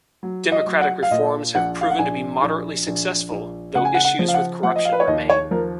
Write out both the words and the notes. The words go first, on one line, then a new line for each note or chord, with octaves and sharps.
Democratic reforms have proven to be moderately successful, though issues with corruption remain.
F#3
D#5
F#3
F#5
F5
A#2 D#5
A#1 F#5
F5
F#5
A#1 G#5
A#1
A#1
A#1
C#3 F#5
G#5
F#5
F#5
F3
F5
F#5
F3 F#5
D#5
F5
B4
C#5
D#2 D#5
C#5
F3 A#4